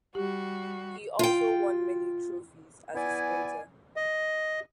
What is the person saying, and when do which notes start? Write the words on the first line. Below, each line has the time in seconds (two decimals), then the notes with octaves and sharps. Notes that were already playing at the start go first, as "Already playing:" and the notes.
He also won many trophies as a sprinter.
0.15 G3 F#4 G4
1.19 F4 G5
2.95 B3 E4 D5 G#5
3.96 D#5